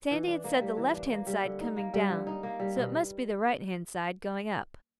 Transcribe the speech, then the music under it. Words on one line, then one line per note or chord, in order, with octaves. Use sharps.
Sandy had said the left-hand side coming down, so it must be the right-hand side going up.
E3
D4
A#3
G3
E3
D4
A#3
G3
D3
D#4
A#3
G3
D3
D#4
A#3
G3
B2